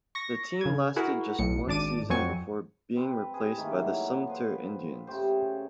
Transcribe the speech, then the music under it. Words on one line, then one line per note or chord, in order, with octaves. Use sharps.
The team lasted just one season before being replaced by the Sumter Indians.
C#6 A#6
C#3 G#6
E4 F#4 G#4 A#4
B1 A2 C#7
G#1 D4 A5 D6 D#7
F2 F#3 C4 G#5 C#6
C4 B4
G#4 B4
G#2 D#3 A3 A#3
E3 F#3
F3 B4 C5
C#3 A3 G4 C5